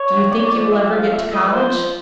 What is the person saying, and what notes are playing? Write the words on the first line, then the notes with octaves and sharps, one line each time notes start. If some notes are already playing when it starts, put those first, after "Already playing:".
"Do you think you will ever get to college?"
Already playing: C#5
G2
A3 D5
C#5
F3 D5
G2 E5
F3 F5
A3 E5
F3 D#5
B4
F3 C5
F3